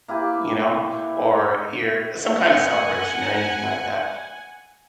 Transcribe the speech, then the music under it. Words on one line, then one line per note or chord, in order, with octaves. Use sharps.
you know, or you're some kind of celebration or anything like that.
A#3 E4 G4 B4
F#5 G#5